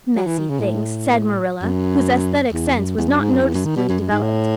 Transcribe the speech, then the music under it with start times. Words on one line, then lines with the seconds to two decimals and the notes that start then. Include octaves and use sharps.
"Messy things," said Marilla, whose aesthetic sense was not noticeably developed.
0.16 F#3
0.27 E3
0.38 D#3
0.49 C#3
0.60 A2
1.62 F#2
2.53 E2
2.75 F#2
2.97 E2
3.09 F#2
3.20 G#2
3.31 F#2
3.42 E2
3.54 F#2
3.65 D#3
3.76 B2
3.89 F#2
4.00 F#2
4.11 G#2
4.21 A2